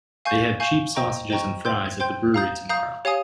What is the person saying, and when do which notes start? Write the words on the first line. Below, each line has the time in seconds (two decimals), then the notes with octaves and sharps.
They have cheap sausages and fries at the brewery tomorrow.
0.25 F5 G#5 C#6 G6
0.60 F5 G#5 C#6 G6
0.95 C5 D#5 G5 A#5 C#6
1.30 C5 D#5 G5 A#5 C#6
1.65 C5 G5 C6 G6
2.00 C5 G5 C6 G6
2.34 F5 A#5 D#6 G6
2.69 F5 A#5 D#6 G6
3.05 G4 C#5 F5 G#5 D#6